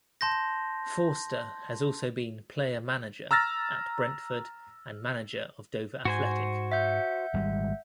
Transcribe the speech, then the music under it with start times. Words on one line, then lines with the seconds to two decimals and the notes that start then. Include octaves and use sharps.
Forster has also been player-manager at Brentford, and manager of Dover Athletic.
0.21 A5 C6 G6 A#6
3.31 A#5 E6 F6 A6 A#6
6.05 G#2 F#4 C5 G#5
6.72 E5 F#5 G6
7.34 G#1 G3 G#3